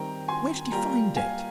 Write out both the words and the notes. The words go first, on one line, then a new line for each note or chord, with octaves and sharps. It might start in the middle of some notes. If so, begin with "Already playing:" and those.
Where did he find it?
Already playing: D#3 G3 C4 G5 A#5
G#5 C6
G3 A#3 F4 G5 A#5
F5 G#5